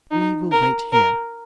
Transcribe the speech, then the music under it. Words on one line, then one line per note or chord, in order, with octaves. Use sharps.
"We will wait here."
D#4
A#4
A#4